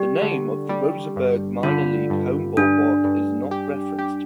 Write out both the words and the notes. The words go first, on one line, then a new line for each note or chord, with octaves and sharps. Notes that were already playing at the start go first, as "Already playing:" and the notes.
The name of the Roseburg minor league home ballpark is not referenced.
Already playing: G3 G4
D3
G3
G2
D3 F4
G2
G2 D4
G2
G4
G4